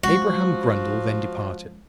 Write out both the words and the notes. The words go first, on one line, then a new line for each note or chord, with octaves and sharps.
Abraham Grundle then departed.
F3 G#3 C#4 F#4